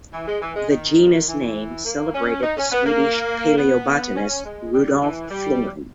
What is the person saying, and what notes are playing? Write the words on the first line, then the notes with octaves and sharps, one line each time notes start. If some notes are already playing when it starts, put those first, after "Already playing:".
The genus name celebrated the Swedish paleobotanist Rudolf Florin.
E3
G#3
E3
G#3
D#3
E3
A#3
C#4
D#4
C#4
B3
A#3
B3
C#4
G#3
G3
E3
G3